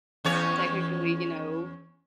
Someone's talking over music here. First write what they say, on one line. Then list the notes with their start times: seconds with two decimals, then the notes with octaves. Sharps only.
technically, you know,
0.25 E2 C#4 C#5